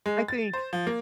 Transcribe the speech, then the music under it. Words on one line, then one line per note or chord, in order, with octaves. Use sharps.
I think
G#3
A6
C5
F3
A#3